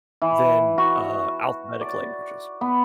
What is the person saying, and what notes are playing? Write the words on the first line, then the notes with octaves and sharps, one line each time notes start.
then, uh, alphabetic languages.
E3
F#4
D5
B3